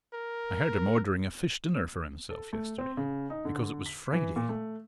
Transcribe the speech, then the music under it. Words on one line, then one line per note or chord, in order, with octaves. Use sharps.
I heard him ordering a fish dinner for himself, yesterday--because it was Friday.
A#4
A4
A3
C4
C#3
D#4
D3
B6
E3
A#2
A3